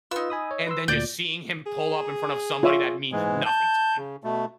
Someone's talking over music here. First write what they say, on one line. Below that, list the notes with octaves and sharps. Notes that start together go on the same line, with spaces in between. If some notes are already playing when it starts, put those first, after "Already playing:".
and then just seeing him pull up in front of somebody that means nothing to him.
D#4 F4 B4 E6
G#5 B5 D#6
C#5
B4 C6 E6
D2 A#2 D5 G6
G#4
F4 C#5 E5
G#2 E3 G#3
A5 G6
C#3
B2 A3